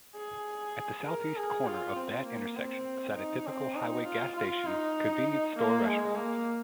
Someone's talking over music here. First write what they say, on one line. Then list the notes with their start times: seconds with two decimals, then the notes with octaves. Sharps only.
At the southeast corner of that intersection sat a typical highway gas station-convenience store-restaurant.
0.16 G#4
1.06 A#4
1.36 G#4
1.67 F4
1.97 C4
2.27 A#3
2.57 C4
3.16 D#4
3.47 C4
3.76 D#4
4.06 F4
4.36 F4
4.67 D#4
5.57 A#3
5.87 G#3
6.16 A#3